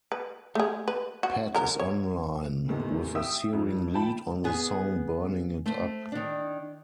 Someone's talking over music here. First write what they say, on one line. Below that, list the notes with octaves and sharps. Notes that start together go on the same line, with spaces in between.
Pat is on line with a searing lead on the song Burning it Up.
B4
A3 G#4
B4
F#4
F#3 A#4
C#5
E2 A2 C3 D#3
E5 G5 D#6 E6
F2
F3 G5 A5 B5
B3 G#4
A3 C5
D#3 D4